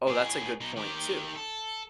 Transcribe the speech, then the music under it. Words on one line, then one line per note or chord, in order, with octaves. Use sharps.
Oh, that's a good point, too.
A2 G#4
B2 D#4
D#3 G4
A4